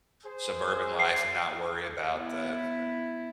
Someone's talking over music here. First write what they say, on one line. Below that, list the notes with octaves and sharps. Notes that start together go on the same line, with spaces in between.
suburban life and not worry about the
G#4 C5
C7
B3 E4